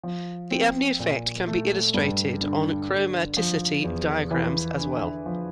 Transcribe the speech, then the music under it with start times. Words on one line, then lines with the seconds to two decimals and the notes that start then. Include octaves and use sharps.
The Abney effect can be illustrated on chromaticity diagrams as well.
0.03 F3
0.51 C4
0.99 A#2
1.47 A3
1.94 G2
2.41 D3
2.89 D3
3.37 F3
3.84 E2
4.31 E3
4.79 D3
5.26 F3